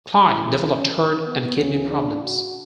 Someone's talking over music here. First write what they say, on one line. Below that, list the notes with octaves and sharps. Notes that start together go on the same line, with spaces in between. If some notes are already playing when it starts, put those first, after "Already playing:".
Clyde developed heart and kidney problems.
C#2 C#3 E3 E4
C#4
B3
D2 C#3 E3 C#4
D4
F#4